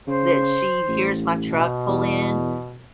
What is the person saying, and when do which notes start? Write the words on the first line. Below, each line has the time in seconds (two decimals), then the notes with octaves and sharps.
that she hears my truck pull in,
0.07 C#3 C5
0.88 A1
1.43 B2
1.88 E2